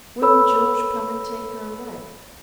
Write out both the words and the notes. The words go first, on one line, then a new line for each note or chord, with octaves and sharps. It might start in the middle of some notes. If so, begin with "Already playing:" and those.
Wouldn't George come and take her away.
A4 B4 C#5 B5 E6